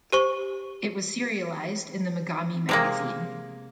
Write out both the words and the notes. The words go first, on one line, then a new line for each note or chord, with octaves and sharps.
It was serialized in the Megami Magazine.
G4 C5 C#6
C3 G#3 A#3